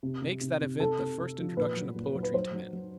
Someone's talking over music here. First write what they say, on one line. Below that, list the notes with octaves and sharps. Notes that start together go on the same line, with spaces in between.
He makes that event the first introduction of poetry to men.
C3
C3
C3
C3
C3 A4
C3
C3
F3
A#2 B4
F#3
A#2
F#3
B4
F#3 C5
F#3
F#3